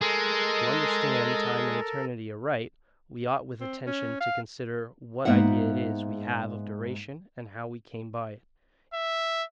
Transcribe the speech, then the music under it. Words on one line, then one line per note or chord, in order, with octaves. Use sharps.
To understand TIME and ETERNITY aright, we ought with attention to consider what idea it is we have of DURATION, and how we came by it.
G#3 A4 A#4
C4
C#4
F5
G#2 A#3 B3 E5 F#5
E5